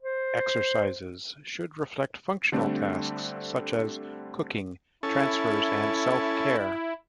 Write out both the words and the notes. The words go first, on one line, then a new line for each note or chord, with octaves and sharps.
Exercises should reflect functional tasks such as cooking, transfers and self-care.
C5
D3 G3 A3 C4 D4
C#4 E4 A4